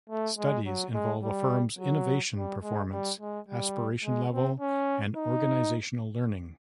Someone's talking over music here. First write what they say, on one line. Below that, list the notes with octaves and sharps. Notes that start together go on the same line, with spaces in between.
Studies involve a firm's innovation performance, aspiration level, and organizational learning.
A3
G#3
F#3
G#3
G3
F#3
G3
G#3
G3
G#3
G3
G#3
C4
C#4
D#4